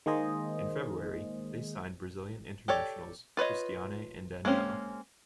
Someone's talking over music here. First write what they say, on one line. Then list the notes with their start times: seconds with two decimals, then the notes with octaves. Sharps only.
In February, they signed Brazilian internationals Cristiane and Daniela.
0.06 D#3 G#3 A#3 G#4 C5 D#5
2.68 G4 A4 C#5 D5
3.37 F4 B4 C#5 D#5
4.45 G#3 A#3 C4 C#4